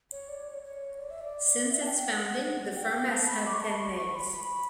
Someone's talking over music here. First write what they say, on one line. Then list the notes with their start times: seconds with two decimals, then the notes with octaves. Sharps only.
Since its founding, the firm has had ten names.
0.12 C#5
0.29 D5
0.47 C#5
0.64 C#5
0.99 D5
1.10 E5
1.21 D5
1.70 E5
1.81 A5
1.87 G5
2.04 F#5
2.75 G5
2.93 G5
3.10 A5
3.27 B5
3.45 D6
3.53 C#6
3.62 A5
3.71 B5
3.80 C#6
3.98 C#6
4.15 B5
4.32 B5